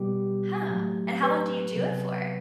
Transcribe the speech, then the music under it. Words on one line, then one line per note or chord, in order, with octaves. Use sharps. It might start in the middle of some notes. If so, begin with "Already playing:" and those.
Huh, and how long do you do it for?
Already playing: B2 G3 B3 G4
A2 F#3 A3
B4
C3 F#3 B3